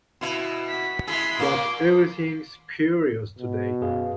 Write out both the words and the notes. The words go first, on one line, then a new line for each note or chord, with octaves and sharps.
But everything’s curious today.
B2 E4
F#5 B6
G#3 E4 G#4 C6 B6
A#2 A#3 C6 D6
B2
F#2 G#4 F5